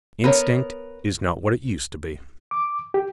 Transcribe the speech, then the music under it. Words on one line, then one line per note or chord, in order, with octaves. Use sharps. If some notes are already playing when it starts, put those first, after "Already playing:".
Instinct is not what it used to be.
B3 A#4 C#5
D6
G4